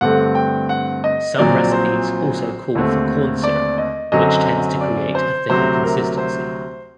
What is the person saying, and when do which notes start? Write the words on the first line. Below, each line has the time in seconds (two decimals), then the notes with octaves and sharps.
Some recipes also call for corn syrup, which tends to create a thicker consistency.
0.01 G2 D3 A3 C4 F#5
0.35 G5
0.69 F#5
1.04 D#5
1.37 A#1 A#2 F#3 C4 D5
1.72 C5
2.75 D#2 D3 A3 C4
3.43 D5
3.78 D#5
4.12 F#2 D3 F#3 C4 D#5
4.81 D5
5.15 C5
5.49 D2 C3 F#3 C4 C5
5.83 A#4
6.18 C5